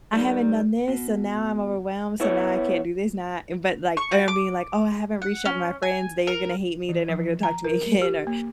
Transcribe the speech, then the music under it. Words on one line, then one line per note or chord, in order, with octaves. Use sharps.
"I haven't done this, so, now I'm overwhelmed, so, now I can't do this now" But, like, er, I'm being, like, "Oh I haven't reached out to my friends, they are gonna hate me, they're never gonna talk to me again," or,
D#3 G3
B2
B3 E4 C#5
C#6
F#4
D6
F#5
C#4
G#5
A#4
E3
F3
A#5
A#4
G4
A#3